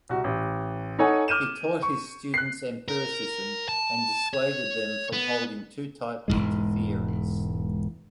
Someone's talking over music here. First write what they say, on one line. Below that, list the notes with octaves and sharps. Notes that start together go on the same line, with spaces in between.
He taught his students empiricism and dissuaded them from holding too tightly to theories.
C2 F#4
A1
D#4 A4 C#5 F#5 G#5
D6 F6 G6 D#7 E7
C#6
F#6 C7
A#4
A5
C#5
B3
E1 F2 G#2 G#3